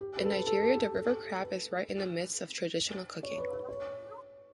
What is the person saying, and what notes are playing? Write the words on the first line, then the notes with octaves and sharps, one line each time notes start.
In Nigeria, the river crab is right in the midst of traditional cooking.
G4
B4
A4
B4
A4
G4
A4
A4
B4
C#5
B4
B4
C#5